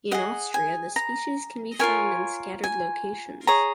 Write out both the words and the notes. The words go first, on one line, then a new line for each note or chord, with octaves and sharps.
In Austria, the species can be found in scattered locations.
G#4 D#5 F#5
G#5
A#5
F4 A#4 C#5 G#5
G#5
G#4 C#5 A#5